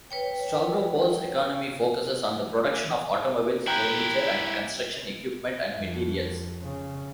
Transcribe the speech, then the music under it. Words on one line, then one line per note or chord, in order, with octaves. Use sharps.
Stavropol's economy focuses on the production of automobiles, furniture, and construction equipment and materials.
B4 C#5 G5
E4 G4 G5 A#5 F#6
F2
C#3